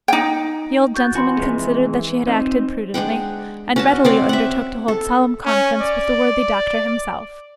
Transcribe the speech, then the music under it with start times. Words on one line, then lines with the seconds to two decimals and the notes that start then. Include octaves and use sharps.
The old gentleman considered that she had acted prudently, and readily undertook to hold solemn conference with the worthy doctor himself.
0.08 D#4 G5
0.95 F#4 C#6 G6 A6
1.15 E3 F#4 G#5 B5 C6
1.37 F2 C3 G#3
2.27 C4 D#4
2.94 G#3 D4 F#5 G5
3.76 C#4 F#4 A5
4.05 C4 C#5 D5
4.29 E5 F#5
4.88 A4
5.45 C#4
5.81 D5